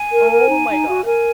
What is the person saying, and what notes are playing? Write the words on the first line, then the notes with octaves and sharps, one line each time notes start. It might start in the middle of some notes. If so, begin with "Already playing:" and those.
Oh my god.
Already playing: G#5
A#4
A#4
D#4
D#4
F#4
A#4 G#5